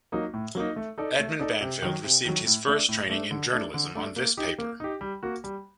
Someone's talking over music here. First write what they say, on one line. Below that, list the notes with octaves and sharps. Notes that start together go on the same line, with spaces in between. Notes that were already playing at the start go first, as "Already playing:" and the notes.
Edmund Banfield received his first training in journalism on this paper.
F#3 A#3 D#4
A2
F#3 A#3 D#4
A3
D#4 A4 D5
A3
D#4 A4 D5
C3
D#3 F#3
C3
D#3 F#3
A2
A3 D4
A2
A3 D4
D3
A3 D4
D3
A3 D4
A#3
D#4 G4
A#3
D#4 G4
G3
A#3 F#4
G3